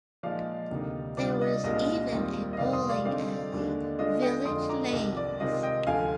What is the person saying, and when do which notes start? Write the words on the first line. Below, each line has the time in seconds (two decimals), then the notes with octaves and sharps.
There was even a bowling alley, Village Lanes.
0.23 A#2 F3 G#3 D#4 D5 F5
0.71 D2 C3 D#3 A#3 D#4
1.17 C3 G3 D4 F4 D5
1.41 D#5
1.64 C2 A#2 G#3 D4 F4 D#5
2.11 D#2 D#3 G3 C4 F4
2.53 D#5
2.58 F2 C3 D#3 G3 D5 F5
2.73 C6 D#6
2.89 D5 F5
3.05 D3 G#3 C4 D#4 D5 F5
3.52 D#2 D3 G#3 D4
3.99 D3 G#3 D4 F4 D#5
4.22 D#5 G5
4.45 F2 D3 G#3 D4 F4 C6 D#6
4.69 A#5 D6
4.92 C2 C3 D#3 D#5
5.17 D5
5.40 C3 D#3 G#3 C4 F4 D#5
5.63 D#5 G5
5.87 D2 D3 F3 F5 G#5